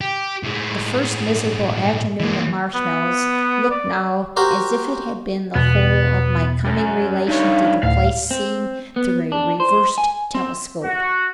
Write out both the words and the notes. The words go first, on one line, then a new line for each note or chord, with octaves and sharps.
The first miserable afternoon at Marshmallows looked now as if it had been the whole of my coming relation to the place seen through a reversed telescope.
G4
A2 G#3
E3 A#3
B3
D5
F#4 G4 A#4 C5
E2 B2 B3
F#2
G2 D#4 C#5
D2 A2 F5
C4
B3
D4
C5
G#5
C4
F#4